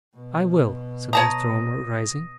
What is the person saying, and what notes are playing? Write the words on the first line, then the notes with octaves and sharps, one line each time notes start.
'I will,' said Mr. Omer, rising.
B2
C#5 A5 A#5 D#6 A#6 D#7